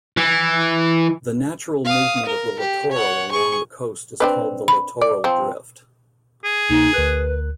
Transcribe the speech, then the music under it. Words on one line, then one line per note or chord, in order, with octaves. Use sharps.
The natural movement of the littoral along the coast is called the littoral drift.
E3
F5 D#6
A#4
G4
C#5 F#5
G#4 C#6
C4 D4 B4
B5
D5
F3 C4
G#4
D2 C3 A#3 D#4
D2 A#4 B4 F#6